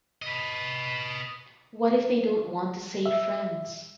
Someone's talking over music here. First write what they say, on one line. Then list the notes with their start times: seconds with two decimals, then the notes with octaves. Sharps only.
What if they don't want to say friends?
0.22 B4 D#5
3.06 E5